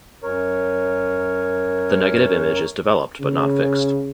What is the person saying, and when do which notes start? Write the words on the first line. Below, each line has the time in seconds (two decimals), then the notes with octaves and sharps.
The negative image is developed but not fixed.
0.23 F#2 A#4 C#5
3.20 C#3